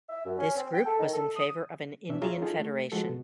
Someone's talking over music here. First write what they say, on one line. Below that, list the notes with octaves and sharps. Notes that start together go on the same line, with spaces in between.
This group was in favor of an Indian federation.
E5
F#2
C#4
C4
G5
A4
D#3
A4
D#6
B2 C#4 D4 E5
F4 G#4 C#5 E5 A#5 C6
C#4 D#4 F4 G#4 A4
A3
F3 G#3 F#4 A4
B2